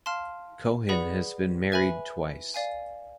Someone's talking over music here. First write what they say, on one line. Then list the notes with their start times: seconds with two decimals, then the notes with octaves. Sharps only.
Cohen has been married twice.
0.06 F5 A5 C6 F6
0.89 G#4 B4 D5 F#5 B5
1.72 B4 E5 G#5 B5
2.54 D5 F5 G#5